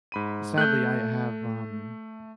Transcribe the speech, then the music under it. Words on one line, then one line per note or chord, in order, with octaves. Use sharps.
sadly, I have, um
G#2 B5 D#7
A3 F#6 G6